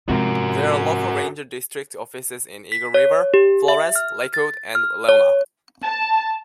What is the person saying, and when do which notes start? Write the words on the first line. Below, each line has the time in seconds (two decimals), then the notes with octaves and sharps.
There are local ranger district offices in Eagle River, Florence, Lakewood, and Laona.
0.09 G#2 C3 F3 F#4 A#4
2.72 B6
2.94 C#5
3.34 G4
3.68 E5
3.96 F6
4.34 A6
4.75 F6
5.09 C#5
5.84 A5